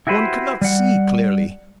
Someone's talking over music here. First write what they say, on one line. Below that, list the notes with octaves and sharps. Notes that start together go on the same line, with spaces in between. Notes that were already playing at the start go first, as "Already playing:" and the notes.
One cannot see clearly.
E4 F#4 G4 B4 C5
G3 F#5